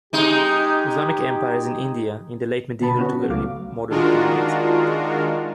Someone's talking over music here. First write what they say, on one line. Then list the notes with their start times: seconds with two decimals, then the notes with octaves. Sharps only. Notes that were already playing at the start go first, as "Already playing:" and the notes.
Islamic empires in India in the late Medieval to Early Modern period.
0.13 G#3 D#4 G4
2.80 B2 D3 B3 A5 B5
2.99 B3 C#4 F#4
3.29 C#2 F#3 A3 F5 D6
3.90 D#3 G#3 D4 F4 F#4 A#4